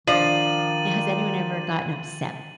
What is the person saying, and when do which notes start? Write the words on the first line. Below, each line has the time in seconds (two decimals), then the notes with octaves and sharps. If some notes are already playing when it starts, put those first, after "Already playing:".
Now, has anyone ever gotten upset
0.07 D#3 F3 D4 A6 D#7 F#7